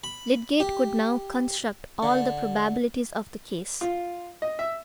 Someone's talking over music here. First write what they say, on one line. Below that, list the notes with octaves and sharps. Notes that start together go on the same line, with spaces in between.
Lydgate could now construct all the probabilities of the case.
B5
G4
D3
F4
D#5
E5